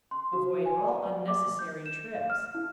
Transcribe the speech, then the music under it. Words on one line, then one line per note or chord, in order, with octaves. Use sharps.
Avoid all unnecessary trips.
C6
F#4
G#5
D5
D6
G6
E7
F5
F6
E4